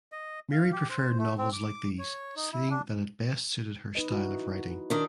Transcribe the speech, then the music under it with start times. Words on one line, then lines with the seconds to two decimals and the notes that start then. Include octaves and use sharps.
Mary preferred novels like these seeing that it best suited her style of writing.
0.12 D#5
0.52 F5
0.72 G4
0.89 C5
1.18 A3
1.38 C4
1.53 D6
1.99 C#5
2.36 D#4
2.52 E4
2.70 D4
3.95 D#4 B4 D#5
4.11 E4 F#4
4.90 D#3 D4